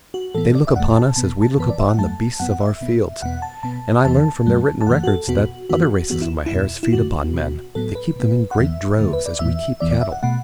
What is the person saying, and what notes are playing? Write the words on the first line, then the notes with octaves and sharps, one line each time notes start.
They look upon us as we look upon the beasts of our fields, and I learn from their written records that other races of Mahars feed upon men--they keep them in great droves, as we keep cattle.
F#4
A2 E3 B3 A4
D5
E5
E2 B2 A3 F#5
A5
B2 B3 A5
A5
F#2 E3 B3 B4
D5
E5
F#5
F#2 F#3 A3 A5
F#2 F#3 B3 F#5
F#5
E5
B2 B3
E2 B2 B3 F#5
A5
B2 B3 A5
E2 E3 B3 A5
F#2 F#3 A3
A5
F#2 E3 A3 F#5
F#4
A4
E2 B2 B3 F#4
F#2 E3 B3 F#4
F#2 E3 B3 F#4
E4
E4
E2 B2 B3
E4
F#2 D3 A3 F#4
B2 B3
A2 F#3 B3 A4
B4
B2 B3
F#5
E2 E3 B3 E5
E2 D3 A3
B4
D5
E2 E3 B3 E5
E2 E3 B3 D5
D5
E5
F#5
B2 A3 F#5